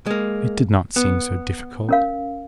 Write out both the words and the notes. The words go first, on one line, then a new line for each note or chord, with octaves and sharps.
It did not seem so difficult.
G#3 A#3
B3
C#4 A#4 F5